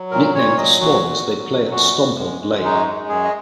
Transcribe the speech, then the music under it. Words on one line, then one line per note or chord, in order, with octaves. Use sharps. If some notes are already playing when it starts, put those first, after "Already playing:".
Nicknamed the Swans, they play at Stompond Lane.
Already playing: F#3
A#2 A#4
A#2 C#5
F#3 D#5
A#2 F#4
A#2
F#3
A#2
F#2 F#4
F#2
G#3
G#3
F#2 D#4
G#3
F#2 G#4
D#5